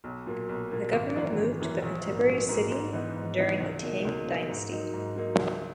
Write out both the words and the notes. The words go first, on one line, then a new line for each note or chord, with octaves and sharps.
The government moved to the contemporary city during the Tang dynasty.
B1
A#2 F#3 A#3
B1
A#2 F#3 A#3
G#1
F#2 E3 A#3
G#1
F#2 E3 A#3
A#1
G#2 F#3 A#3
A#1
G#2 F#3 A#3
G#2
E3 B3 D#4
G#2
E3 B3 D#4
C#2
B2 A#3 D#4
C#2
B2 A#3 D#4
G#2
F#3 A#3 D#4
G#2
F#3 A#3 D#4
C#2